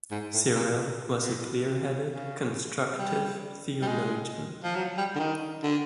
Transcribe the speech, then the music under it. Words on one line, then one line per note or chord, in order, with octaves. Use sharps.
Cyril was a clear-headed, constructive theologian.
G#2
A2
A#2
B2
C3
C#3
G3
G3
G#3
F3
F#3
G3
D3
D#3
D3